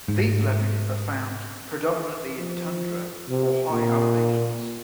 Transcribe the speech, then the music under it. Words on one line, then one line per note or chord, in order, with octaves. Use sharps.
These lemmings are found predominantly in tundra or high elevations.
G#2
F3
C3
A#2